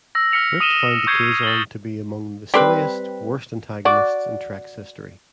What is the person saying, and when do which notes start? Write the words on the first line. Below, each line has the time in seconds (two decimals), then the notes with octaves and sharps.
Britt found the Kazon to be among "the silliest, worst antagonists in Trek's history".
0.15 E6 A#6
0.32 F6 B6 C#7 F7
0.60 D#6 D#7 E7 G7
1.07 C#6 G6 G#6 C7 C#7 G7
1.43 A6 F#7 G7
2.54 G3 C4 B4
3.85 F#4 D5